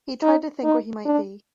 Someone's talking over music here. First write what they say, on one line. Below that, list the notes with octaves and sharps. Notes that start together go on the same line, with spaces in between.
He tried to think where he might be.
D#4
D#4
D4